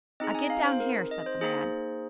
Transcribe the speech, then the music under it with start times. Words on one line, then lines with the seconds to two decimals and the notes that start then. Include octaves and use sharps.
"I get down here," said the man.
0.20 C4 D#4 G#4 D#5
0.30 A#5
0.35 G#5
0.50 F5
0.65 C5
0.80 A#4
1.11 D#5
1.26 C5
1.41 A#3 D#4 G#4 C5